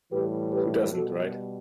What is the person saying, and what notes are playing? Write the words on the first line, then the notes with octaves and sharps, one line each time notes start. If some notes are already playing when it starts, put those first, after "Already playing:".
Who doesn't, right?
A2 E3 G3 G4 B4
G4 B4
B2 G3 F#4 A4